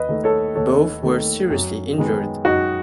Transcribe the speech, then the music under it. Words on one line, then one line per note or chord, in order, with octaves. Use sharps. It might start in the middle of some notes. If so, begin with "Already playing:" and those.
Both were seriously injured.
Already playing: D#2 B4 D#5
D#3 A3
A4 C#5
D#2 A4 C#5
D#3 A3
F#2
D#3 G#3 B3
F#2 D#4 F#4